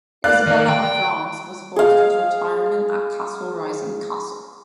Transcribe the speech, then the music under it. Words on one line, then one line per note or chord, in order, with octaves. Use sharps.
Isabella of France was forced into retirement at Castle Rising Castle.
D5 F5 F#6
D#3
G5
G#4 F5